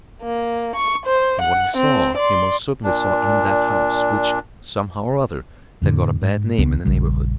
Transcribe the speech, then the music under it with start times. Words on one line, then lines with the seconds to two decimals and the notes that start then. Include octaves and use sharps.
And what he saw, he most certainly saw in that house, which, somehow or other, had got a bad name in the neighbourhood.
0.23 A#3
0.76 C#6
1.06 C5
1.41 F#5
1.77 C4
2.17 D5 C6
2.84 A#2 D4
5.82 F2 A2 D3
6.22 G#2
6.58 D1 C#2 C#3 B3
6.85 F1 A#1 C#3 G3